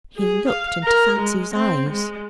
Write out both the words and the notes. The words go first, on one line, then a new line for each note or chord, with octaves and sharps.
He looked into Fancy's eyes.
G#4
F5
A#4
G#3
C4
G#3